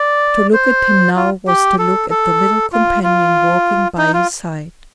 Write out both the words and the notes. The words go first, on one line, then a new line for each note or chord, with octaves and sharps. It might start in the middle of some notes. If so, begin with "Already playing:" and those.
To look at him now was to look at the little companion walking by his side.
Already playing: D5
C5
F4
G4
A4
A4
F4
F4
D#4
F4